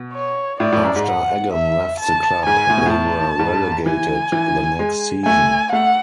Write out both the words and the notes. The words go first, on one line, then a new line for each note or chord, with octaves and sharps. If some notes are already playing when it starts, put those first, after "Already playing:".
After Eggen left the club, they were relegated the next season.
Already playing: B2
C#5
A2 D5
A2
F#2
G#2
F#5
E5
A5
G#2 G#5
A2
B2
A2
A5
G#2
E3 G#5
E3
G#3
A3 G#5
A3 F#5